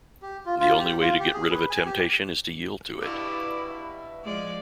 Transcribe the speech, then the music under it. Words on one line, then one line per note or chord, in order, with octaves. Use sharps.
The only way to get rid of a temptation is to yield to it.
G4
F4
F4
G4
F4
G4
G#4
B4
G#5
G4
G2 B2 E4 D6
E5
F3 G#3 D5